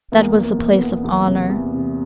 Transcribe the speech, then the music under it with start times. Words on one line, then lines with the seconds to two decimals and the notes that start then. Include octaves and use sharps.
That was the place of honor.
0.12 E2 A#3
0.35 E2
0.42 A#3
0.58 E2
0.72 B3
0.81 E2
1.03 E2 B3
1.26 C3
1.49 E2
1.73 C3